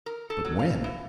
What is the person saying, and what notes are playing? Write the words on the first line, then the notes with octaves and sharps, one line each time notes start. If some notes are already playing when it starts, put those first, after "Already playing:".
"But when?"
A#4
A4
F#3
F5
E3